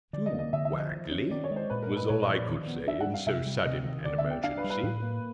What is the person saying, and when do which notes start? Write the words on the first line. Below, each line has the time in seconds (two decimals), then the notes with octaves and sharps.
"Too waggly?" was all I could say in so sudden an emergency.
0.13 D3 D5
0.26 D#5
0.32 A#3
0.39 D#5
0.53 D3 E5
0.65 E5
0.72 F3
0.78 D#5
0.92 D#3
1.11 C#4
1.30 D#3 D5
1.44 C#5
1.51 G#3
1.56 C5
1.70 A#2 B4
1.82 A#4
1.90 G#3
1.96 B4
2.09 A#2 C#5
2.22 D#5
2.29 F3
2.36 D5
2.48 D#3 D5
2.67 B3
2.87 D4 E5
3.01 F#5
3.07 G3
3.14 F5
3.26 C3 E5
3.46 G3
3.66 C3 D#5
3.85 D#3
4.05 D3 D5
4.18 E5
4.24 B3
4.31 G5
4.43 D4 F5
4.57 B4
4.64 G3
4.70 B4
4.83 A2
5.03 A#3